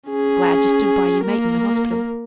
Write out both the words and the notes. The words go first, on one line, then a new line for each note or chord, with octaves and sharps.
Glad you stood by your mate in the hospital.
C#4 G#4
A#3 A#4